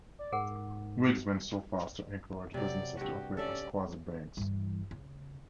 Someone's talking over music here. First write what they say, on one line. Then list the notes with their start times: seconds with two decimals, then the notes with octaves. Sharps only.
Whigs went so far as to encourage businesses to operate as quasi-banks.
0.19 D5
0.32 G#2 G#4 A#4 F#5
2.54 C3 F#3 D5
2.97 G2 F#4 G4
3.37 C#4 A4 D5 E5
4.37 G2 E3
4.91 C#3